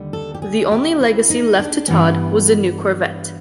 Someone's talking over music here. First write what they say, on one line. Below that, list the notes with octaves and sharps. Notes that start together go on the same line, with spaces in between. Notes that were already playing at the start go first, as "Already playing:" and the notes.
The only legacy left to Tod was a new Corvette.
Already playing: D#2 D3 G3
A4
G4
G#4
G4
E4
D#4
D4
G2 E3 G3 B3 C#4